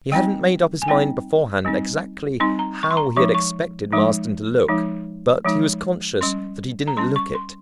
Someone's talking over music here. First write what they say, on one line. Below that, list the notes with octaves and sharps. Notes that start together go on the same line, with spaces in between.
He hadn't made up his mind beforehand exactly how he had expected Marsden to look, but he was conscious that he didn't look it.
G3 C4 D#4 G5
G#5
G3 C4 D#4 G5
G3 C4 D#4
G3 C4 D#4 C6
A#5
C#6
C6
A#5
F3 G#3 D#4 C#6
C#6
F3 G#3 D#4
F3 G#3 D#4
F3 G#3 D#4
G3 C#4 C6
A#5
G3 C#4 C6
C#6
C6